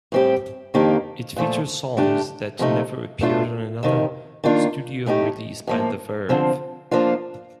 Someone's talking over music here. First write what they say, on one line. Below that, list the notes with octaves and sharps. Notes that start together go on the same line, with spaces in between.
It features songs that never appeared on another studio release by The Verve.
A2 G3 C4 G4
F2 D#3 A#3 D4 G4
A#2 F3 A3
D3 A3 D4 G4
C3 F3 A3 D#4
A2 A3 D4 F4
F2 C3 D#3
D#3 A#3 D4 F4
A2 A3 D#4 G4
A2 F3 A#3
D3 F3 C4
F3 A#3 D4 F4